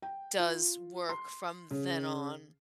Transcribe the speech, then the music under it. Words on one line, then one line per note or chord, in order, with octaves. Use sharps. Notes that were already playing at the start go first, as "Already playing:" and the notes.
does work from then on
G5
F4
C6
C#3